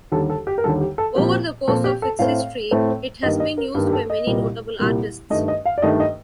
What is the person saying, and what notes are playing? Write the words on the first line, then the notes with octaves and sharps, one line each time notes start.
Over the course of its history, it has been used by many notable artists.
D#2 D3 G3 A4
A4
G4
A#4
D#2 D3 G3 A4
G4
A4
A#2 F3 C4 G4
A#2 F3 C4 A4
G4
A4
A2 A3 C4 F5
A2 A3 C4
G2 D#3 A#3 D#5
D#5
A#4
G2 D#3 A#3
G4
A4
D#5
C2 A#2 G3 A#3
C2 A#2 G3 A#3
G2 D#3 A3 D#5
D#5
F5
D5
G2 D#3 A3 D#5
D#5